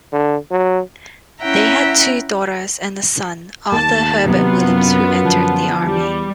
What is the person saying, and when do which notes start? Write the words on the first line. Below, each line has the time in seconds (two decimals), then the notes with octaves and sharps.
They had two daughters and a son, Arthur Herbert Williams, who entered the army.
0.13 D3
0.51 F#3
1.42 C#4 E4 E5 F#5 G5 A#5
3.72 D#2 A#3 A5
4.25 C3 F#3 B3 F4
4.62 F#2
5.25 D3 F3
5.83 E2 G3